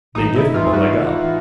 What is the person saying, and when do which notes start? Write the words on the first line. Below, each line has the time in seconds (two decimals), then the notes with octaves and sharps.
They give him a leg up.
0.15 A1 D#4
0.34 A1 E4
0.54 E3 F4
0.73 A1 F#4
0.92 A1
1.12 A1